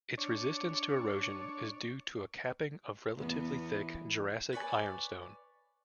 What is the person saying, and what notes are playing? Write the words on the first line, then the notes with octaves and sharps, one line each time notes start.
Its resistance to erosion is due to a capping of relatively thick Jurassic Ironstone.
D4 C#5
E2 B3
B4 C#5 D5 G#5